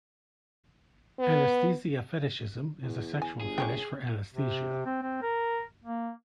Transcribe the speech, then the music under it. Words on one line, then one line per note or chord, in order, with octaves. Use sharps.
Anesthesia fetishism is a sexual fetish for anesthesia.
B3
E2
G#5
G1 G#4
A#3 C#4 G5
C3
C4
C4
A#4
A#3